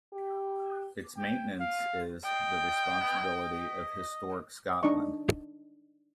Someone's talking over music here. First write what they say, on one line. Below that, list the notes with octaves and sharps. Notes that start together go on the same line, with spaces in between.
Its maintenance is the responsibility of Historic Scotland.
G4
G5
F5
D#5 G5
D4 D#4 D#5 C#6